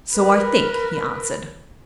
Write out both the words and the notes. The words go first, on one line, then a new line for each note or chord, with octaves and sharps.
'So I think,' he answered.
A#4 B4